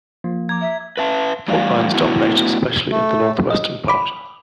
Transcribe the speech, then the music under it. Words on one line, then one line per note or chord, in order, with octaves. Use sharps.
Fault lines dominate especially in the northwestern part.
F3 A#3
A#5 D6 G#6
E5
B4 E5 A5
E2 A2 G3 D5 F5
A2 B3 E4 F#4
A3
D#5
B5 D6